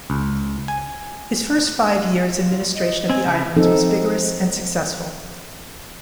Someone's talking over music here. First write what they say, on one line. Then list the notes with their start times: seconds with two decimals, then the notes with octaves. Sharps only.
His first five years' administration of the islands was vigorous and successful.
0.10 C#2
0.68 G#5
2.36 F4
2.75 D#5
3.09 C4 G#5
3.26 C#3 E4
3.57 F3 C4 D#4 A4